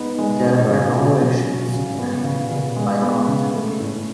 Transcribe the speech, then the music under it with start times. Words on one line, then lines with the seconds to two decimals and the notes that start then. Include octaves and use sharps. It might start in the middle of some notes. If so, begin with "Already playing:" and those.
There were no rations in an innings by Compton.
Already playing: G#3 B3 D#4
0.18 G#3
0.44 C#4
0.70 C#3
0.96 F#4
1.22 F#3
1.47 C#4
1.73 C#3
1.99 B3
2.24 C#3
2.51 C#3
2.76 G#3
3.02 B3
3.28 C#3
3.54 A3
3.80 A2